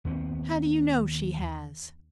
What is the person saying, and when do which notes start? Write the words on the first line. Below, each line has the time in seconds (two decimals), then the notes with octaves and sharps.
"How do you know she has?"
0.05 D#2 B3 C4